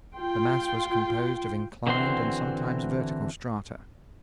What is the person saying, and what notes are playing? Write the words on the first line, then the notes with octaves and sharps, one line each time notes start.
The mass was composed of inclined and sometimes vertical strata.
F4 G5 C6
D3 E3 C4 F#4 C6